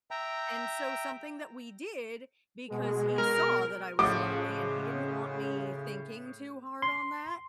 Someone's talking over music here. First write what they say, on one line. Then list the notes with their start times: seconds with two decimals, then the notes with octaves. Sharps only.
and so something that we did because he saw that I was lonely and he didn't want me thinking too hard on that,
0.11 E5 G5 A#5
2.70 B2 G#3 G#4
3.18 A#4 F6
3.99 A2 C#3 F3 F#4 D#5 D6
6.82 C6